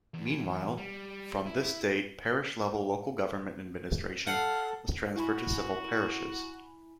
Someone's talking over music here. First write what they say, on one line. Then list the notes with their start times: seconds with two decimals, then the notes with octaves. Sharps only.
Meanwhile, from this date parish-level local government administration was transferred to civil parishes.
0.14 E2
0.77 G3
1.46 E4
4.27 A4 F5 F#5
5.16 E4 F#4 G#5 B5